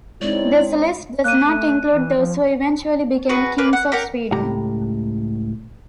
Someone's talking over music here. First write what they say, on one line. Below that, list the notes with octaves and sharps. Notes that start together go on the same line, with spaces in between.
This list does not include those who eventually became Kings of Sweden.
G#3 C4 D#4 E4 C#5 D5
A#3 F#6 D#7
A3
E3
F3
F#4 G#4 B4
A#3 B4
F#5
G4 A#4 F#5
C#2 A2 G4 A#5